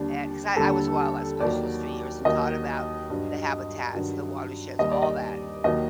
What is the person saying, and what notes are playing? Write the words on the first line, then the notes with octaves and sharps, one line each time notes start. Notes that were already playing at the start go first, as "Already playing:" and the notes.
and 'cause I I was a wildlife specialist for years and taught about the habitats, the watersheds, all that.
Already playing: D#2 D3 G3 D4
D#2 D3 G3 A4
D#2 D#3 F#3 D5
D#2 D#3 F#3 D#5
G2 F#3
G2 D#3 F#3
D#2 D#3 G3 D#5
D5
D#5
D#2 D#3 F#3 D#5